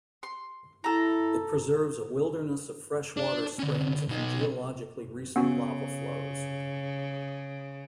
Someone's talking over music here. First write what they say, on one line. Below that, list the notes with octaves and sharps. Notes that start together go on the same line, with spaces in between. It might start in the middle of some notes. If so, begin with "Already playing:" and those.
It preserves a wilderness of freshwater springs and geologically recent lava flows.
C6
E4 A4 A#5
D4 D5
D3 C#4
B2 D#4
C#3 B3 C#4 F#4